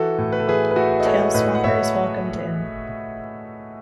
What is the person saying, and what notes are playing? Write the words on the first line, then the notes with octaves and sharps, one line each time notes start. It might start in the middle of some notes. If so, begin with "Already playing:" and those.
Taleswapper is welcomed in.
Already playing: E3 F#4 A4
A2
B4
A4
E3 G#4 B4
B4
A3 F#4 A4
D#5
A3 A4 C#5
A2 B4 D#5
F#5
A2 C#5 E5